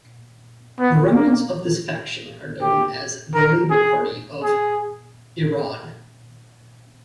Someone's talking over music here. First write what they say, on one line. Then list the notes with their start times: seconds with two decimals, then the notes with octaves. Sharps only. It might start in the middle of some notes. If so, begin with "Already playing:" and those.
The remnants of this faction are known as the Labour Party of Iran.
0.79 B3
1.15 A#3
2.61 G4
3.34 A#4
3.70 G#4
4.43 G#4